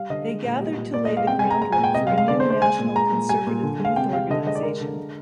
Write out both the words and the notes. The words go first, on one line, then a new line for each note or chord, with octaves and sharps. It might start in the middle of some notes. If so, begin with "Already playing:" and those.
They gathered to lay the groundwork for a new national conservative youth organization.
Already playing: G3 F5
D3 D#5
G#3
A#2
G3
A#2
A#2 D5
D#5
G#3
F5
C3 G5
G#5
G#3
A#5
G#3 A#5
G#5
A#2
G5
C3 D#5
F5
G#3
F5
D3 D5
C5
G#3
C5
G#3 G#5
A#2
G#3 A#5
A#2
G3 G#5
A#2
D3
G#3 F5
C3 G5
G3 F5
D3 D#5
G#3 D#5
D5
G#3 A#4
D3
G#3